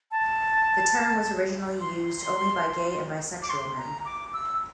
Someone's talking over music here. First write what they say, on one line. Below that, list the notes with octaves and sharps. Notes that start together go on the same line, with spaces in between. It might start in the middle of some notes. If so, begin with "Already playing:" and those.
The term was originally used only by gay and bisexual men.
A5
C6
D6
C6
A#5
D6
E6